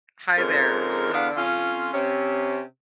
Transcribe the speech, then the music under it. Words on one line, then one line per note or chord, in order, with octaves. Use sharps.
Hi there. So, um,
F2 G#2 C#3 A#4
E2 B3 D4 F5
F2 C#4 F4
C3 C#4